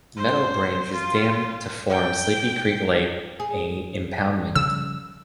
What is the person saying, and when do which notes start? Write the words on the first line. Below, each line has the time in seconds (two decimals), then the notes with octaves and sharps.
Meadow Branch is dammed to form Sleepy Creek Lake, a impoundment.
0.17 C5
0.93 F4
1.89 G5
3.40 G#4
4.55 C#3 F3 G3 E6